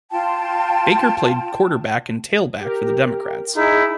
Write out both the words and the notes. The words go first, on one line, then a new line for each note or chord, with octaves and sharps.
Baker played quarterback and tailback for the Democrats.
F4 G5 A5
G4 A#4
D#4 E4 G#4